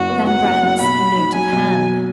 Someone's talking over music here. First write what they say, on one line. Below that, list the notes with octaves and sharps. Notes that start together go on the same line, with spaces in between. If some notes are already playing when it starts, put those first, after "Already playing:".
Van Brandt's note of hand!
Already playing: F#1 F#2 F#4
B3
F#3 F#5
F#1
F#2
B1 B5
B2
D#4
F#3 G#5
B1
B2